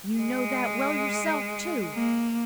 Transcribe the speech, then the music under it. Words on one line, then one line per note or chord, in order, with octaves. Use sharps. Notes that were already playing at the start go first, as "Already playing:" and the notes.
You know that well yourself, too.
G#3
A#3